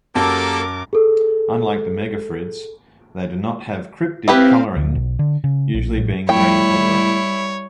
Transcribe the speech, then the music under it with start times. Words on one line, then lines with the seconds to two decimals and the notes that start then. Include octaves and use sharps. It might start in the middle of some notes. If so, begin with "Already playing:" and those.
Unlike the megophryids, they do not have cryptic colouring, usually being green or brown.
0.15 F#2 A#3 G4 A4 A#4 A5 D6
0.93 G#4 A4
4.28 C4 E4 G4 B4 F5
4.77 D2
4.95 B1
5.19 D3
5.44 C#3
5.74 A#1
5.98 A1
6.29 A2 G3 E4 C#5 G5